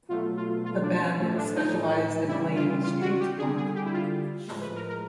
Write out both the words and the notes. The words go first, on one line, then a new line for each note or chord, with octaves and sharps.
The band specialized in playing "street funk".
B2 F#3 A3 F4
F4
F4
D4
C#4
A2 F3 A3 C#4
D4
D#4
C#3 E3 G3 E4
F4
F4
F#4
G4
D3 G3 G#4
G#4
G4
E4
F4
A2 F3 G#3
B4
A#4
A#4